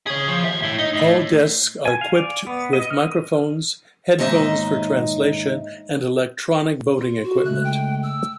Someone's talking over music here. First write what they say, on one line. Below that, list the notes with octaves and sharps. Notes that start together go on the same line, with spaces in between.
All desks are equipped with microphones, headphones for translation and electronic voting equipment.
G#4 C#5
F3
D#2 E5
A2
D#4
A2
G#5
F5
D5
B3
D#5
F6
D#2 G#2 D#4 D#5 E5
F4
F#4
C#3 G#3 A3 F#6
G5
E6